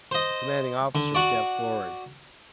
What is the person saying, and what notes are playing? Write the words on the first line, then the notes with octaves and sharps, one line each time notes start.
The commanding officer stepped forward.
C5 D#5
D3
F#4 D5